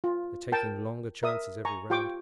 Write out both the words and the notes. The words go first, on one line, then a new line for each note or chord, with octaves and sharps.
They're taking longer chances every round.
F4
A#4 G5 A5
A#4 E5 D#6
G#5 A#5 C#6
F4 G4 G5 C#6 D6